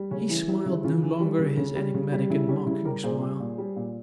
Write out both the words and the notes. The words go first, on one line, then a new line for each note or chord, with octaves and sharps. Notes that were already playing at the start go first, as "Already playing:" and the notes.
He smiled no longer his enigmatic and mocking smile.
Already playing: G3
C#3 C#4
E3 E4
G3 E4
C#3 E4
C#3 C#4 F4
E3
G3
C#3
C#3
G3
C#3
G3
C#3 E4
G3 C#4
C#3 E4
G3 G4 A#4
A#2 G#4 C5
G3
A#2
G3
A#2